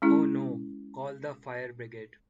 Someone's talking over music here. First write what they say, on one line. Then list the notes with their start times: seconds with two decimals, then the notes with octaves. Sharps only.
Oh no! Call the fire brigade!
0.02 G#3 C#4 E4 G#4